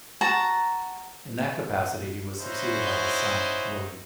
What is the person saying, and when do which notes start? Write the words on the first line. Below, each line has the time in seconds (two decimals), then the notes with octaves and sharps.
In that capacity he was succeeded by his son William.
0.21 F#4 A5 A#5
2.39 C#4 D#4 E4 F#4 C5